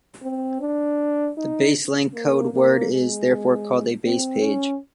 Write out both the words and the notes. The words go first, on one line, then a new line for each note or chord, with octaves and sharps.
The base link code word is therefore called a base page.
C4
D4
D#4
A#3
A#3
G#3
C4
C#4